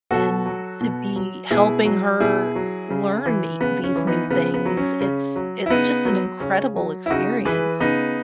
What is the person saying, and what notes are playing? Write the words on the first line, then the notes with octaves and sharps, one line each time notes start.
and to be helping her learn e these new things, it's it's just an incredible experience.
B2 F#4 A4
F#3
B2
F#3
B2 E4 G#4
F#3
B2 E4 G#4
F#3
C#3
E3
C#3 B3
C#4
E3
B3 D#4
C#3 B3
B3
F#3
C#4
C#3
F#3
E4
C#3 B3 D#4
F#3
C#3 C#4
F#3
E4
C#3 D#4 F#4
E3 G#4 B4
C#3 B3 D#4